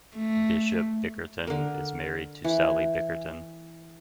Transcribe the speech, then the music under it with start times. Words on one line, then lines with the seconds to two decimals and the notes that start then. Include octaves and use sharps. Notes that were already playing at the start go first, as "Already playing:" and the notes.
Bishop Bickerton is married to Sally Bickerton.
0.17 A3
1.47 D3 A#4
2.44 E3